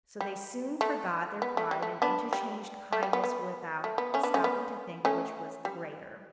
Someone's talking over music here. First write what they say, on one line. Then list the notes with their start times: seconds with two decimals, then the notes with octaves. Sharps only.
So they soon forgot their pride and interchanged kindnesses without stopping to think which was the greater.
0.21 G3
0.81 A3
1.42 B3
1.57 A3
1.71 G3
1.82 A3
2.02 B3 D4
2.33 G3
2.92 A3
3.03 G3
3.13 B3
3.24 B3
3.84 A3
3.98 B3
4.14 A3 C#4
4.23 B3 D4
4.34 A3 C#4
4.44 B3
5.05 A3 C#4
5.65 G3